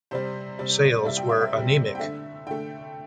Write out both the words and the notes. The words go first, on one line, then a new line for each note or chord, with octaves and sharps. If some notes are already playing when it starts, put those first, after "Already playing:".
Sales were anemic.
C3 G3 C5
C3 G3
C3 G3 E5
G5
E5
E5
C3 G3
G5
D3 A3 E5
D3 A3 G5